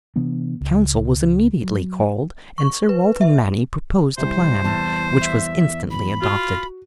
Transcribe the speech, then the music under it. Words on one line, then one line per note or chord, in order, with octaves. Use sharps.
A council was immediately called, and Sir Walter Manny proposed a plan, which was instantly adopted.
C3 E3 B3 D4
C#2
F#3
C#6
B4
E5
C2 C3 C5
E2 A5
E5
B5
F4 F#4